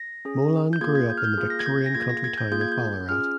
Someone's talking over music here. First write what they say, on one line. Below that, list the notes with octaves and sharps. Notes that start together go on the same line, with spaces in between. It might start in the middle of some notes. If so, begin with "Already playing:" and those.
Molan grew up in the Victorian country town of Ballarat.
Already playing: A#6
C#4 G#4
G6
A#3 F4 G#4 G#6
G#6
G6
F6
G6
A#3 F4 G#4
A#6
G#6
G6
A#6
A#3 F4 G#4 G#6
A#6
G#6
G6
A#3 F4 G#4 G6
G#6
G6
C#4 F4 G#4 F6